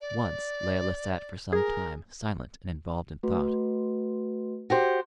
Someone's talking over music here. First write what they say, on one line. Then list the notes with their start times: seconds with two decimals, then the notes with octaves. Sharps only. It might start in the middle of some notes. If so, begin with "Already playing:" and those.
Once Layelah sat for some time silent and involved in thought.
0.01 D5
1.53 G#4 A#4
3.23 A3 F#4 B4
4.70 F#4 G4 C5